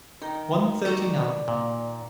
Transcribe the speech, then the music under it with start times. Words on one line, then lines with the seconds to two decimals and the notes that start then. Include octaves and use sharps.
One thirty-nine.
0.22 D#3 D#4
0.85 F#4 A4 D5 A#5
1.48 A#2